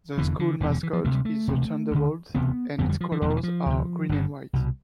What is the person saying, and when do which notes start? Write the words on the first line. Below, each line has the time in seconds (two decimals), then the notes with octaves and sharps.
The school mascot is the Thunderbolt, and its colors are green and white.
0.17 F1 E2 D3 E3
0.39 D3
0.61 E1 E2 C3 E3
0.72 D3
0.83 E3
0.93 F3
1.05 D2 C3 A3
1.15 G3
1.25 A3
1.48 E1 D2 C3
1.91 D2 D3
2.35 E1 D2 C3 B3
2.79 G1 F2 D3 B3
2.89 G3
3.01 F3
3.12 E3
3.22 E1 E2 B2 G3
3.30 F3
3.37 E3
3.43 F3
3.66 D2 C3
4.09 G1 G2 D3
4.53 C2 B2